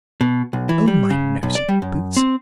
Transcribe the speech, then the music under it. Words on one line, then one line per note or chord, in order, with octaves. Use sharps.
O my noisy boots!
B2
B1
E3
G3
C#3
B1
D5
G3
F#2
C4